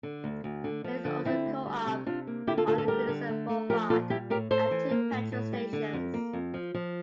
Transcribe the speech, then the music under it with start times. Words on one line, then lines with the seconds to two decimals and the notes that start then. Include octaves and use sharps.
There is also a Co-Op on Goodison Boulevard, and two petrol stations.
0.03 D3
0.24 D2
0.44 D2
0.64 D3
0.84 F3
1.05 D3
1.25 D3 C4 E4
1.46 D2
1.66 G3
1.86 C3
2.06 C3 D4 F4
2.27 A#3
2.47 D3 E4 G4
2.57 F4 A4
2.68 D2 F4 A4
2.78 F4 A4
2.88 G3 G4 A#4
3.09 D3
3.29 A3
3.49 A3
3.69 F3 G4 A#4
3.90 A#2 F4 A4
4.10 G3 E4 G4
4.30 A2 G4 A#4
4.51 A2 A4 C5
4.71 E3
4.91 A#3
5.12 A2
5.32 A2
5.53 G3
5.73 D3
5.93 F2
6.14 A#3
6.33 F2
6.54 F3
6.74 F3